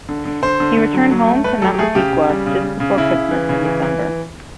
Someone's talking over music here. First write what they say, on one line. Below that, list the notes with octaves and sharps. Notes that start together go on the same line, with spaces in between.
He returned home to Massapequa just before Christmas in December.
D3
D3
D3 C5
D3
D3
F#3
F#3
A3
A3 B4
F#3 A4
G4
A3 G#4
C#3 G4
C#3
G3
C#3
C#3
C#3
C#3 E4
C#3
E3
C#3
E3
E3